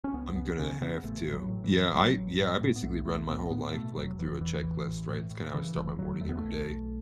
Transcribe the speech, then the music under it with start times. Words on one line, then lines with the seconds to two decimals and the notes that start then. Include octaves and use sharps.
I'm gonna have to. Yeah, I yeah, I basically run my whole life, like, through a checklist, right, it's kinda how I start my morning every day,
0.04 C#4
0.14 C#2 B3
0.36 C#2 B3
0.59 C#3 C#4
0.81 C#3 B3
1.04 A1 A3
1.27 A1
1.33 F#3
1.49 A2
1.64 E3
1.72 A2
1.93 A1 F#3
2.16 A1
2.39 A2
2.61 A2
2.76 B3
2.83 B1 A3
3.06 B1 A3
3.28 A2 B3
3.51 A2 B3
3.73 B2 A3
3.96 E1 F#3
4.19 E1 E3
4.41 E2 E3
4.63 A1 E3
4.86 A1
5.09 A2
5.31 A2
5.54 C#3 E3
5.76 E1 E3
5.98 E1 F#3
6.20 E2 A3
6.29 B3
6.37 A3
6.44 B1
6.66 B1